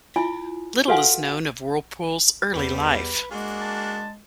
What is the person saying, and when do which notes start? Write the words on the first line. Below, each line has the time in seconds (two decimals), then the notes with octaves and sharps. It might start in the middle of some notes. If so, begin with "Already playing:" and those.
Little is known of Whirlpool's early life.
0.16 E4 F4 G#5
0.88 F#4 A4 B4 F5 F#5 G#5
2.53 E2 G3 B4
3.31 G#3 A#3 D4 F#4 G#4
3.61 A5